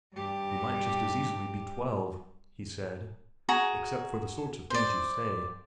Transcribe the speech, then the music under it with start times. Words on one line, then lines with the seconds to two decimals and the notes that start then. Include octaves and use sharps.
'You might just as easily be twelve,' he said, 'except for the sorts of things you say.'
0.14 G2 G4
3.49 F#4 G#4 A#5
4.70 C5 D5